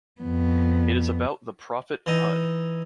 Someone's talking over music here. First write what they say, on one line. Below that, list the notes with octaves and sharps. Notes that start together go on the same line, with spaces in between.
It is about the prophet Hud.
F2 B3
E3 D#4